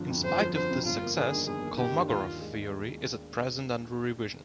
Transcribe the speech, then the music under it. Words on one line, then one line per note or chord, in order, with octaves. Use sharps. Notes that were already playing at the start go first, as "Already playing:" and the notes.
In spite of this success, Kolmogorov theory is at present under revision.
Already playing: G1 D3 F3
F2
G1 C5
F3
D3 C5
F2
G1 F4
A#3
D#3 G#4
G2
G1 G#4
A#3
D#3 G4
G2
D#2 F4
D#2
G#3